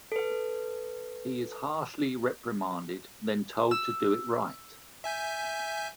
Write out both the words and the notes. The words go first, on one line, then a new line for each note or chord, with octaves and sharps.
He is harshly reprimanded, then told to do it right!
A4 B4
E6
E5 G#5 G6